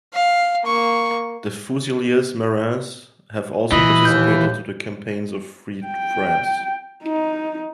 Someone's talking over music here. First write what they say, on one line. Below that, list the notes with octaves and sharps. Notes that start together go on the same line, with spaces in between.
The Fusiliers Marins have also participated to the campaigns of Free France.
F5
A#3 C#6
A#2 E3 D#5 B5
D#2 G6
G5
D#4